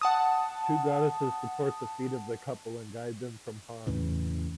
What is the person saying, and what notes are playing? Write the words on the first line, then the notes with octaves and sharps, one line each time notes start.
Two goddesses support the feet of the couple and guide them from harm.
F#5 A5 D#6
E2 A2 C#3 E3